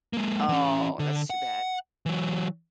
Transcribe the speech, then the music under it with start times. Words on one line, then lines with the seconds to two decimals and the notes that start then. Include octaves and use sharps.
Oh, that's too bad.
0.13 G#3 A#3
0.49 E3 C#4
0.99 D3
1.30 F#5
2.06 E3 F#3